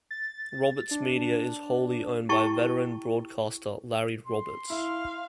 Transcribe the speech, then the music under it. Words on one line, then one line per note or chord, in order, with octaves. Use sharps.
Roberts Media is wholly owned by veteran broadcaster Larry Roberts.
A6
D4
E4 G4 G5 A5 C#6
C6
E4 F5